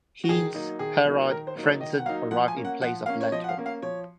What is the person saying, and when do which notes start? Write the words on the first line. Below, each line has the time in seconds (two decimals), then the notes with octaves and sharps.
Heinz-Harald Frentzen arrived in place of Lehto.
0.24 F#4
0.29 D#3 G#4
0.54 F#3 A#3 D#4
0.79 D#3 G#4
1.05 F#3 A#3 D#4
1.30 D#3 A#4
1.47 C5
1.55 F#3 A#3 D#4
1.63 C#5
1.80 D#3 D#5
1.98 F#5
2.05 F#3 A#3 D#4 F5
2.31 F3 F#5
2.48 G#5
2.56 A#3 C#4
2.65 F#5
2.81 F3 F#5
3.06 A#3 C#4 F5
3.21 C#5
3.32 F3 D#5
3.44 F#5
3.49 F5
3.57 A#3 C#4
3.66 F5
3.82 F3 C#5